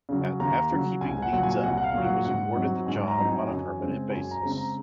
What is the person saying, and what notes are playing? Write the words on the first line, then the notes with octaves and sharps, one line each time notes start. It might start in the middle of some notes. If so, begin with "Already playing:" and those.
After keeping Leeds up, he was awarded the job on a permanent basis.
C#3 F#3
D#2 A#5
C#3 F#3
C2 G#5
F#5
A#2 F#3 F#5
G#5
C2 F#5
F#5
F5
A#2 F#3
F#5
G#2 F#5
F#3 C4 D#4
G#2 G#5
A#5
F#3 C4 D#4
G#5
F#2 G#5
C#3 G#3 C4
F#2 G#5
A#5
C#3 G#3 C4
A#5